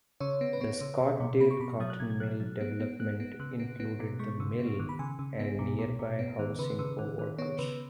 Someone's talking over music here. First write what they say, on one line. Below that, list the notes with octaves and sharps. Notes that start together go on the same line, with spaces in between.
The Scottdale Cotton Mill development included the mill and nearby housing for workers.
C#3 C#5
B3
B4
B3 C#5
C#3
B2
B2
B3 B5
C#6
B2 B5
C#6
F#3 D#6
F#6
B2 G#6
G#6
F#3 F#6
F#3
B3
B3
B3 F#6
B3
C#3 F#6
B3
B3
B2
G#3 C#6
C#3
B3
D#3
B5
C#3 G#5
C#3
B3
B2
B2
B2
B3
D#3
C#3 B4
C#3
D#3
D#3
B3 C#5
C#3 B4